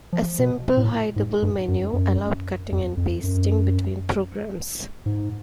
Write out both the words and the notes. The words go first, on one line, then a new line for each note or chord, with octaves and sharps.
A simple hideable menu allowed cutting and pasting between programs.
F3
B2
A2
G#2
G2
F#2
F#2
F2
F2
F#2
G#2